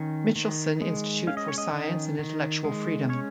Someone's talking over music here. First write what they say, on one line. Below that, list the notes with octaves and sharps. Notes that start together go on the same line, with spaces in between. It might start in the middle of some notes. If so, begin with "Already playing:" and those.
Michelsen Institute for Science and Intellectual freedom.
Already playing: D#3 C#4
D#3
G#3
C#4 F5
D#5
C#5
D#5
D#3
D#3
G#3
C#4 C#5